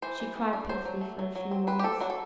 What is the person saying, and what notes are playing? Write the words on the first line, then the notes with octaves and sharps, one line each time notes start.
She cried pitifully for a few moments.
E3 C5
E3
E3
D4
F#3 C5
F#3
A3
F#3
F#3
C4
C4 B4
G4
C4 A4
F#3 F#4
A4